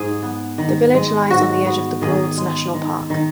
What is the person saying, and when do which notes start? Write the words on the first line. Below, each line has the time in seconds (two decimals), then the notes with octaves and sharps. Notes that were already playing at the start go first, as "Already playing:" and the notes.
The village lies on the edge of The Broads National Park.
Already playing: G#2 G#4
0.22 B3
0.58 D#3
0.94 G#3
1.30 G#2 F#4
1.66 B3
2.02 D#3 G#4
2.37 G#3
2.74 D#3
3.10 D#3